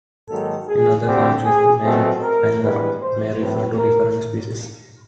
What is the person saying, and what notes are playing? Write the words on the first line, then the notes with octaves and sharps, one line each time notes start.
In other countries, the name "panga" may refer to a different species.
G#2 D#3 F#3 A#3 A4
G#4
D2 D3 G3 C4 G4
G#4
B2 F#3 A3 C4 A4
A#4
G2 E3 G#3 B3 B4
C5
A2 F#3 A3 C4 B4
A#4